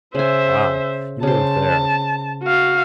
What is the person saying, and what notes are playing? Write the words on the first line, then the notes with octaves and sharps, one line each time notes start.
Ah, you weren't there.
C#3 C5 E5 G#5
C#3 C5 A5
F#4 F5